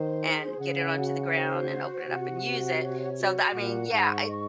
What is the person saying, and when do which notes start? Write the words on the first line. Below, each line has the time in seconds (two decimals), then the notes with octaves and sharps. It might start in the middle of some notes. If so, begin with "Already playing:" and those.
and get it onto the ground and open it up and use it, so tha I mean, yeah, it
Already playing: D#3 C5
0.24 G#4
0.60 C#3 F#5
0.97 F#4
1.34 C5
1.71 F#4
2.07 C3 F#5
2.44 F#4
2.81 C#5
3.18 F#4
3.54 A#2 F#5
3.91 G#2 C#6
4.28 D#5